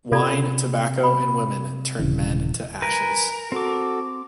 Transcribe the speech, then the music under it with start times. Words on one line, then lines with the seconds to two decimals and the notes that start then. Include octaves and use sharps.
Wine, tobacco and women turn men to ashes.
0.12 C3 F4 A4 D5
1.03 B5
1.99 D#1 C#3 E3
2.82 A#4 B4 G#5
3.52 C4 F#4 A4 D6